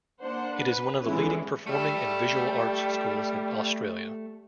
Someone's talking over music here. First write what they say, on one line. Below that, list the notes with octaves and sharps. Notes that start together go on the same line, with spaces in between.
It is one of the leading performing and visual arts schools in Australia.
A#3 D4 C5 F#5
B4
D3 E3 G#3 B3 C#4 E4
G3 A3 E5